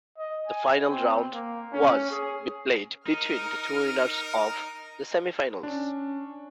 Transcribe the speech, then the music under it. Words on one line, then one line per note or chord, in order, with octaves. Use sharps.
The final round was be played between the two winners of the semifinals.
D#5
G#5
C4
A#3
C#4
G#4
D#4 A#4 F6
C#4 D4